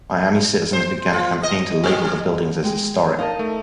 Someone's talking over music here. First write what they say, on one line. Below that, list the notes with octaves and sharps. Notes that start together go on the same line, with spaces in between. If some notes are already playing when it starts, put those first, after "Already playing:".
Miami citizens began a campaign to label the buildings as "historic".
C5
F4
D#5
G3
G#3 G5
D#4 A#4 D#5 F5 A5
A3